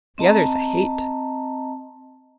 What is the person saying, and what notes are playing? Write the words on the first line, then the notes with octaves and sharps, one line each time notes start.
The others I hate.
C4 D#5 A5 A#5